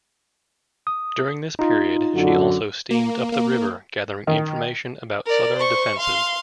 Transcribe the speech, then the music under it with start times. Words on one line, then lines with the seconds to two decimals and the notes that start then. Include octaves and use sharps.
During this period, she also steamed up the river gathering information about Southern defenses.
0.87 D#6
1.59 D#4 F4
2.13 F#2 D3 F#4
2.91 A#3
3.32 A#3
4.27 D#3
5.26 A#4 D5
5.56 C5 C#6
5.98 F5 C6